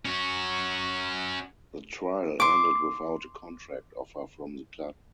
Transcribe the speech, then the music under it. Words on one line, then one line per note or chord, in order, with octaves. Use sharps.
The trial ended without a contract offer from the club.
C#4 F#4
C6 D6